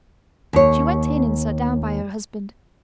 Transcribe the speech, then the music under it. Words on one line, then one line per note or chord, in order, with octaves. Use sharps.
She went in and sat down by her husband.
D#2 C#5